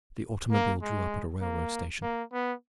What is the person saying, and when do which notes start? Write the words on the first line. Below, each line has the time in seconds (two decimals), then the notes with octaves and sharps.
The automobile drew up at a railroad station.
0.52 A#3
0.82 G#3
1.41 A#3
2.02 A#3
2.32 B3